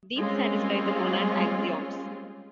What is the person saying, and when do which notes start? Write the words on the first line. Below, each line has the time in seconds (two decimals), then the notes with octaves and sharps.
These satisfy the monad axioms.
0.17 G3 G#3 A#3 C4 C#4 F4